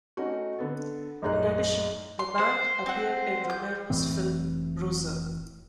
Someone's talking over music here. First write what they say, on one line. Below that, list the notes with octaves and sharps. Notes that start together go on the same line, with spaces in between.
In addition, the band appeared in Romero's film "Bruiser".
A3 C#4 D#4 F#4
D3 B3 A4
A#1 F#2 A2 D#4 G#4 F#6
C6
C5
C4 F#5
G6
F1 A2 E3 C4